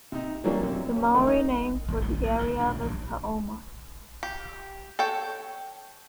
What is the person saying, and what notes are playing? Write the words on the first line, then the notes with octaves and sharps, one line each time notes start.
The Maori name for the area was Tauoma.
C3 D#4
E3 F#3 G3 A#3 C#4 D4
F#2 C3
C#4
C#2 D#3 A3
D#4
D#2 G#2 B2
F#2 A2 D#3 F3
A1 A#3
D#2 A2 D3 D#3
G1 D2 A#2 D4
A#1 G#2 E3 G3
G4
A4 C#5 G5